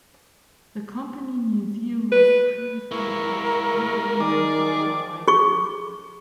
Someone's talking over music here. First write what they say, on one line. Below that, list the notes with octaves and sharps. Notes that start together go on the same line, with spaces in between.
The Company museum was previously housed in the London Guildhall Library.
B4
G#3 A#3 E4 A#4 C#6
D#3 G#4 D5 D6
G#4 C#6